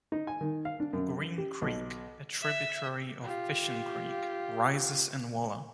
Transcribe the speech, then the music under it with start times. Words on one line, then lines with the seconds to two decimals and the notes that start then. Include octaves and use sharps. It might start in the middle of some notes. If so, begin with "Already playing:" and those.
Green Creek, a tributary of Fishing Creek, rises in Waller.
0.12 D#4
0.27 G#5
0.41 D#3
0.65 F5
0.80 D4
0.93 F#2
1.38 G4
1.62 B1
2.42 E5
3.22 F4 G4